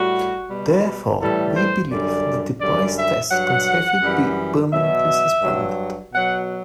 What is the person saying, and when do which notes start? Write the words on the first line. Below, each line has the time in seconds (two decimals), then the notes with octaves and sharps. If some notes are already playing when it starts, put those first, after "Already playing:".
Therefore, we believe that the price-tests can safely be permanently suspended.
Already playing: A2 G3 F#4
0.50 B2 G3
1.20 A2 E3 G3 A4
1.56 C5
1.90 F#2 D3 G3 D5
2.61 F#2 D3 G3 D5
2.96 E5
3.31 G2 F#3 F#5
4.02 F#2 E3 G3
4.72 B2 F#3 E5
5.43 G2 F#3
6.12 B2 F#3 F#5